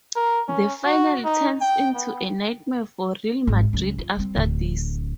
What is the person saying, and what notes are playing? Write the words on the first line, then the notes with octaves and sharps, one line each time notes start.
The final turns into a nightmare for Real Madrid after this.
A#4
C#4
F#4
D#4
G5
B3
G#1 G#3
C#2 F#3
F4
G3 C4
D1 D3